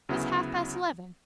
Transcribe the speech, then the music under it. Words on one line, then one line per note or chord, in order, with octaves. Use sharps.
It's half-past eleven.
D2 C#3 F#3 B3 E4